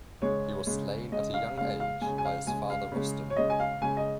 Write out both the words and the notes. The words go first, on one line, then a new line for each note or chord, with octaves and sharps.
He was slain at a young age by his father Rostam.
C#3 G#3 C#5
C#3 G#3
C#3 G#3 D#5
F5
C#3 G#3 F5
F5
C#3 G#3 G#5
G#5
F5
C#3 G#3 G#5
F5
C#3 G#3
C#5
C#3 G#3 D#5
G#5
F5
C#3 G#3 G#5
D#5